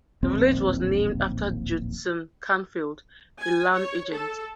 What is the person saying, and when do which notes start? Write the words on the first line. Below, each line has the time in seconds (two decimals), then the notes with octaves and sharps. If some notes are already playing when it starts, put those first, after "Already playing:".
The village was named after Judson Canfield, a land agent.
0.23 D1 A#1 D#2 C4
3.40 G#5
3.73 C#5
4.12 A4